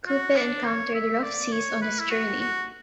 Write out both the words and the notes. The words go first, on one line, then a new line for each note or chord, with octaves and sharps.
Kupe encountered rough seas on his journey.
F#4
D4
C#5
E5
D5
C#5
B4
E4
F#4
F#4